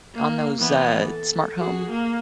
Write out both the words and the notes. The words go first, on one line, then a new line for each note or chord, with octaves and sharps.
on those, uh, smart home
A#3
E3 B3
A4
F#4 G#4
A#3